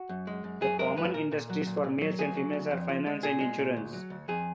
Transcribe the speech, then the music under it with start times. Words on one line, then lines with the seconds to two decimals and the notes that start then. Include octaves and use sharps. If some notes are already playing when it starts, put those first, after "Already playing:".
The common industries for males and females are finance and insurance.
Already playing: F#4
0.09 F#2
0.27 G#3
0.44 F#2
0.61 F#2 G#4
0.79 G#3 A#4
0.97 F#2 B4
1.14 A#2 A#4
1.31 A#2
1.50 F#3
1.66 A#2
1.84 A#2
2.01 F#3
2.18 D2 G#4
2.37 F#3
2.53 D2
2.71 F2
2.89 F3
3.06 G#3
3.23 A#2 G#4
3.40 G#3
3.58 A#2
3.77 D2
3.93 F#3
4.10 D2
4.28 F2 G#4